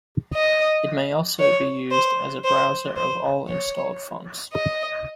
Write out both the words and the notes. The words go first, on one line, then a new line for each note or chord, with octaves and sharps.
It may also be used as a browser of all installed fonts.
D#5
C#5
C5
C5
C5
C#5
D#5